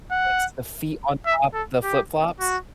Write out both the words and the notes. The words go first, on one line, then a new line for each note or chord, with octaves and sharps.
like, the feet on top of the flip flops?
F#5
E5
A4
G4
F#4